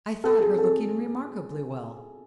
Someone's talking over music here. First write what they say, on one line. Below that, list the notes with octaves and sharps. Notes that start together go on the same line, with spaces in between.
'I thought her looking remarkably well.
A4
G#4
A4